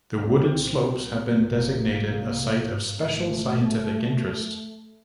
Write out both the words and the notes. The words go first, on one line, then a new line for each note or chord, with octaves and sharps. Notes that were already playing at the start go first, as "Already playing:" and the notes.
The wooded slopes have been designated a Site of Special Scientific Interest.
D2 C#3 C4
C2 A#2
C2 A#2 B3
F1 F2 C3 A#3
C2 A#2
C2 C3
G#1 G2
G#1 G#2 A3